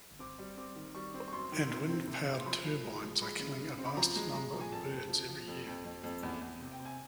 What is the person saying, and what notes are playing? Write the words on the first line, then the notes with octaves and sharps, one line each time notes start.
And wind-powered turbines are killing a vast number of birds every year.
C4 D6
G3
C4 D6
D#3
G3 C#6
C4
C#6
F#2 C6
D#3
C3
C4
C3
C4
C6
F3 B5
F3
G#3
F3
G#3 B5
C#3
C#3
C4
B5
F3 A#5
G#3
G#3
F3
G#5
F2 A5
F2
F3
F3
F2
F2
F2
F2
E2
E2
C3
G5
C3
G#5